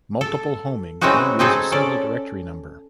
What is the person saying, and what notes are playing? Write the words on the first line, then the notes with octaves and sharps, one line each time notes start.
Multiple homing may use a single directory number.
A4
E3 G#3 C4 C#4 D#4 F#4
C4 D#4 G#4 A4
C#4 A4 D5